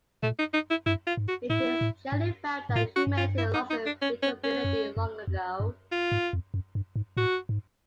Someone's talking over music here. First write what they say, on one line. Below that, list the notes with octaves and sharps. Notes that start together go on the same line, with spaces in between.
It is generally felt that humanity lost its vitality long ago.
A#2 A3
D#4
D#4
E4
G2 E4
F4
G#2
F#4
A2 E4
A2
G#2
G#2
A2 F4
F#4
G2
F4
E4
D#4
D#4
D4
C#4
C#4
C#4
F#2
F#2
F2
G2
F4
G#2
F2
F#2
G2
G#2
A2 F#4
G#2